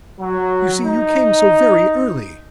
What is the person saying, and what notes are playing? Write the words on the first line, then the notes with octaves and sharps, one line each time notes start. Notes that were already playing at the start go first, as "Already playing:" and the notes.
"You see you came so very early."
F#3
D#4